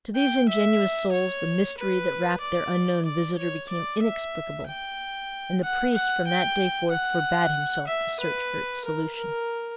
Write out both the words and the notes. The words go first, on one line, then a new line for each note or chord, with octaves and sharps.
To these ingenuous souls the mystery that wrapped their unknown visitor became inexplicable, and the priest from that day forth forbade himself to search for its solution.
G5
E5
C#5
B4
D5
D5
C#5
D5
E5
G5
F#5
F#5
G5
F#5
E5
B4
A#4
A#4